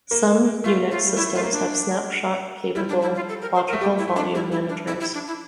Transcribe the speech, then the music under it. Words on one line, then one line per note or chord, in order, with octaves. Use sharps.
Some Unix systems have snapshot-capable logical volume managers.
A#3
A3 F4
F4
G3
A3 E4
A3 F4
A#3
D4
G3 E4
D4
E4
F4
A4
A#4
C5
A#4
A3
G3 G4
E4
A3
D4
G3 E4
E4
D4
E4
E4
D4
E4